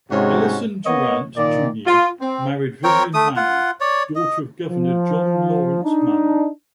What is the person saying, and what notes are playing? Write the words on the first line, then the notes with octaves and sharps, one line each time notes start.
Ellison DuRant, Junior married Vivian Manning, daughter of Governor John Lawrence Manning.
G#2 C3 G#3 C#4 F#4 C#5
A#3 B3 C#5 D#5
A#2 D#3 D5
F4
C4
C4 A#4 C#5 G5
A3 D#6
F4 F#5
C#5 D5
D#5
F3
D4 D#4